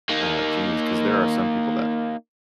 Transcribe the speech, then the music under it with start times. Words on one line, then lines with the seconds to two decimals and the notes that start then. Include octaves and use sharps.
uh, genes 'cause there are some people that
0.09 A#3 D#4